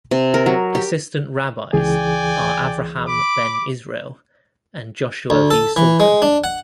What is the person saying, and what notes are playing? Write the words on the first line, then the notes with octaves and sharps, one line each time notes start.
Assistant rabbis are Avraham Ben Israel and Joshua V. Salter.
C3
A#4
F#3
G4
C#2 E3 G#4 D5 G5 G#5
B5 D6
D2
A4
E3
G#3
D4
F#5